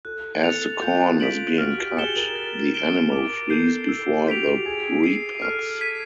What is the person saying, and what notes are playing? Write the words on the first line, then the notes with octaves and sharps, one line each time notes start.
As the corn is being cut, the animal flees before the reapers.
A4 F#6
A4 A6 C#7 F7
F4 G6
B6 D7 F#7
F#4 F6
G4
G#4 A6 C#7 E7 G7
A#4
A6
D7 G7
A#4 D6
A4 G6 C7
A4 E6
G4
F#4 G6 B6 D7 F7
G4
G#4 G#6
G#4 C7 D#7
A4 F6
G#6 B6 D#7